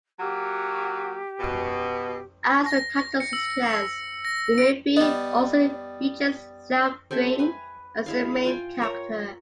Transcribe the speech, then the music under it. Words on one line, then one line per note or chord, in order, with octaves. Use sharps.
As the title suggests, the movie also features Xiaoqing as the main character.
F#3 A#3 F#4 G4
B2
A#6
C#7
E6
E6
A#6
D7
G3 B3 D#5
C4 G4 A4 E5
B4 G#5
G#3 E4 F5
F4 G5 G#5
A#4 C#5 A#5